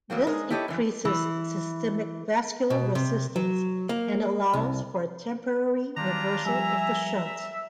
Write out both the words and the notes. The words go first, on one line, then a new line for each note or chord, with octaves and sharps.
This increases systemic vascular resistance and allows for a temporary reversal of the shunt.
E2 F#3 A#3 C4
G#3 D#4 A#4
E4 G4 A4 C#5 D#5
F#2 E3
E3
B2
C3
F#3
A#3
C2
D#3 G3 D4 F4 G4 A#5
F3 G3 E5 G#5